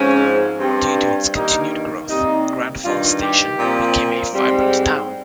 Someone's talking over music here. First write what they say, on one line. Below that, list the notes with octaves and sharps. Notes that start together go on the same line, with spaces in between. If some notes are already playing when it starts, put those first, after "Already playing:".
Due to its continued growth, Grand Falls Station became a vibrant town.
Already playing: G#2 F3 C4 C#4
G2 G3 C4
G2 D#3 G3 A#3 D#4
C3 G3 A#3 D#4
G2 D#3 G3 F4
G4
A#2 F3 C4
G#2 G3 C4